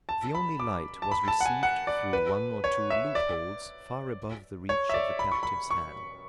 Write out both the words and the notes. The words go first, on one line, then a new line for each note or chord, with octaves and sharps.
The only light was received through one or two loop-holes far above the reach of the captive's hand.
A5
B5
D6
A5
B5
A5
F#5
G#5
F#5
D5
B4
C#5
E5
D5
C#5
E5
D5
B5
C#6
B5
C#6